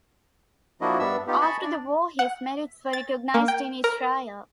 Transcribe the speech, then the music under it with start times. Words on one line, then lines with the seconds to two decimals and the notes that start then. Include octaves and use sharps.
After the war his merits were recognized in Israel.
0.81 F3 A#3 D4 E4 F#4 D#5
0.99 G2 G3 B3 D4 E5 E6
1.27 B3 D#4 F4 G4
1.41 D#5 G#5 A5 B5 C#6
1.62 D4 D5
2.19 F#5
2.93 A6
3.34 A#3
3.48 G5
3.84 A#4